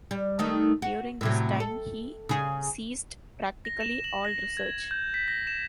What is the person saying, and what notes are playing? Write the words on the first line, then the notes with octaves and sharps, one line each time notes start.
During this time, he ceased practically all research.
G3
D#3 A3 D#4
F#4
A2 C3 F#3
A4
C#3 G#4
A#6
E7
F#7
A#6
G#6
G6
B6
A#6
E7